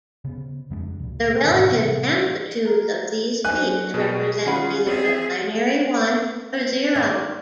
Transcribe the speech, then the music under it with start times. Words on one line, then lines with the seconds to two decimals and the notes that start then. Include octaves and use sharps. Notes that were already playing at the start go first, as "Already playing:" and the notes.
The relative amplitudes of these peaks represent either a binary one or zero.
0.25 C#3 B3
0.70 F2 G#3 C4 D4
1.00 C#2 A#2
1.45 G#2 B2 D#3 E3
1.71 A2 C3 E3 G3
2.65 A#4
3.45 F#3 D4 C5 D#5 G#5 F#6
3.94 B2 F#4 A#4
4.45 D#3 C#4 F4 G#4 B4 F#5 B5
4.87 C4 G#4 E5
6.95 D#3 A#3 C#4 D5 E5